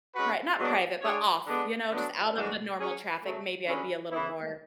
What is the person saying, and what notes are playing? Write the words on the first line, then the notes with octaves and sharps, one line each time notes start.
pri not private, but, off, you know, just out of the normal traffic, maybe I'd be a little more
G#3 C#4 F#4 B4
G#2 F#3 B3 D4
G#3 D4 G#4 C#5
D3 G#3 B3 D4
D3 F#3 B3 D4
G#2 E3 G#3 D4 F#4
F#3 C#4 G#4 C#5
C#3 F#3 A3
D3 F#3 C#4 G#4 B4
C#3 E3 B3 E4